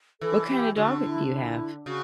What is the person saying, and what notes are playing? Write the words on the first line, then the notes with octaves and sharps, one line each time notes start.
What kind of dog do you have?
E3 A4
G4
D3 F#4
E4
E4
C#3 F#4